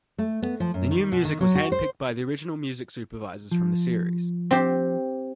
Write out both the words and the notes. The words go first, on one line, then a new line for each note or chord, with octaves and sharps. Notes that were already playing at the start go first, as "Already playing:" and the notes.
The new music was handpicked by the original music supervisors from the series.
A3
B3
F3
F#2
D#3
B2
D#3
F#3
F#4
C5
F3
C4 G4